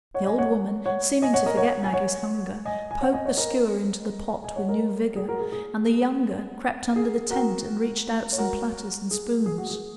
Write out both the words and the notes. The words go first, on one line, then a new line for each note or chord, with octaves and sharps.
The old woman, seeming to forget Maggie's hunger, poked the skewer into the pot with new vigor, and the younger crept under the tent and reached out some platters and spoons.
C#5 F#5
D#5 G#5
C#5 F#5
C#5 F#5
D#5 G#5
C#5 F#5
A#4 D#5
C#5 F#5
G#5
C#5 F#5
D#5 G#5
G#5
C#5 F#5
D#5 G#5
C#5 F#5
A#4 D#5
D#5 G#5
C#5 F#5
A#4 D#5
G#4
F#4 A#4
G#4
G#4
G#4
F#4 A#4
C#5
F#4 A#4
G#4
G#4
F#4
G#4